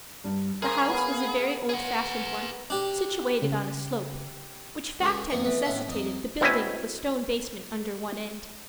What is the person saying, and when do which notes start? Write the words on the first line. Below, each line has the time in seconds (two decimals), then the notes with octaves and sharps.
The house was a very old-fashioned one, situated on a slope, which fact had necessitated the building of a stone basement under one end.
0.24 G2
0.62 G#4 A#4 C5 F5
0.89 B3 F5
1.69 G#4 F#5
2.70 D4 G4
3.42 C#3
5.00 C#2 D4 G#4 A4
5.30 F2 D#3 A#3 B3 C#6
5.44 E3 A3 B3 B4
5.65 A2 D#3 C#4 E5 F#5 C6
5.88 F2 D#4
6.41 B2 C4 C#4 E4 E5 G#5